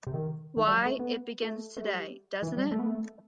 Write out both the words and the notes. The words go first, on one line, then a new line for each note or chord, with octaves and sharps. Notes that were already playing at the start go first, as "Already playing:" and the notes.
Why, it begins today, doesn't it?
C3
D#3
D#3
G3
F#3
A3
B3
A3
A3
G3
E3
G3
A3
B3
A3